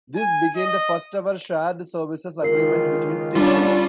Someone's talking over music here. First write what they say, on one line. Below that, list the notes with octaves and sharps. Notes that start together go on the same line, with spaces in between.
This began the first ever 'shared-services' agreement between stations.
G#5
D#5
C#2 D#3 F4 A#4 C7
C2 D3 G3 C#4 D4 F4